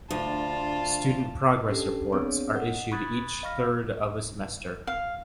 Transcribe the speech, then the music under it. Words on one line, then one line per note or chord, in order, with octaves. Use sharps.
Student progress reports are issued each third of a semester.
D2 D4 F4 A5
C#4 D4 G4 A4
B3 C4 D4 G#4 C#5
D#5 F#5
B5 C#6 D#6 F#6 G#6 A6
D#5 F5 B5 C#6 F6 A#6
F5